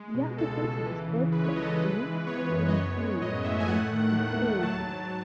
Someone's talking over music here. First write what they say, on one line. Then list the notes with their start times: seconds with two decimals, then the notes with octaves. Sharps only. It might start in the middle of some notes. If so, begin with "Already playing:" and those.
The application is then sent to the Ministry of Interior for consideration.
Already playing: G#3
0.14 B2
0.38 C#2 A4
0.62 C#2
0.85 E3
1.09 C#3
1.32 G#3 B4
1.44 C#5
1.56 C#2 D#5
1.62 A4
1.67 B4
1.79 G#3 B4
2.03 E3
2.27 B3 C#5
2.50 F#2
2.68 D#5
2.74 B3 C#5
2.97 G#3
3.21 A2 D#5
3.44 A2 E5
3.60 G#5
3.68 A3 F#5
3.92 D#3
4.15 D#2
4.38 D#2
4.62 F#3 A5
4.86 G#2